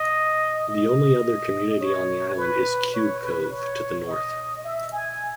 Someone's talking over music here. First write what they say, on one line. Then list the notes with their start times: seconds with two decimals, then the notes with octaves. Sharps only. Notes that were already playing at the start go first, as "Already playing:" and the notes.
The only other community on the island is Cube Cove, to the north.
Already playing: D#5
0.68 D#5
1.81 C#5
2.37 B4
2.94 C#5
3.22 B4
3.51 C#5
4.07 D#5
4.64 E5
4.92 G#5